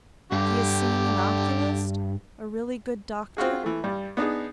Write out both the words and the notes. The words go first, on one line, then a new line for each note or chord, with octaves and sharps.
'He has seen an oculist?--a really good doctor?'
G2 D3 G4
C4 F4 F#4 G#4
E3 A3
G2 G3
B3 D4 D#4 G#4